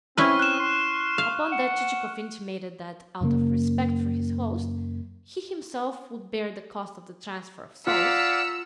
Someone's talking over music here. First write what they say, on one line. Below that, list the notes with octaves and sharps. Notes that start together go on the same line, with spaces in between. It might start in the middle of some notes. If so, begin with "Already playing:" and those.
Upon that Chichikov intimated that, out of respect for his host, he himself would bear the cost of the transfer of souls.
C4 C#4 E4 B4 C#6 F6
F#6 E7
C6
F5
F#5
F#2 C#3 A#3
F4 D5 F5 F#5 A#5 E6 B6 C#7